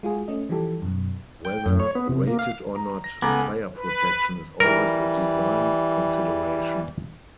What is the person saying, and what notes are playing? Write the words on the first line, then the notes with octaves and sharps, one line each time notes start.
Whether rated or not, fire protection is always a design consideration.
G#3 F4 F#4 G#4
A3 C#4 D#5
E3 F3 G3 G4 A4
F#2 B2
G5
F#2
C#5
B3
C3
A#3
F5
A#5
A#6
C#2 B3 A4 G#5 A#5 D6 G#6
B4
E3 G3 A#4